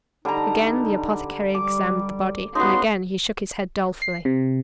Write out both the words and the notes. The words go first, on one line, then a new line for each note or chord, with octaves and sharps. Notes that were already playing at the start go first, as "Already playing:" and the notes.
Again the apothecary examined the body, and again he shook his head dolefully.
D3 G3 D#4 A#5
G3 D6
C#3 B3 D#4 F#4 C6
C7
C3